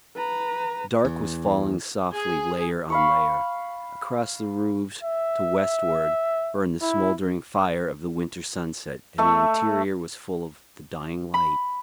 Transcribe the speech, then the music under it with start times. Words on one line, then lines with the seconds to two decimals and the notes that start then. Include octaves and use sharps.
The dark was falling softly layer on layer; across the roofs to westward burned the smouldering fire of the winter sunset, and the interior was full of the dying light.
0.16 B4 A#5
1.05 E2
2.13 G#4
2.90 F5 B5 C#6
5.03 E5
6.82 E4
9.18 A3 E5 C#6
11.34 B5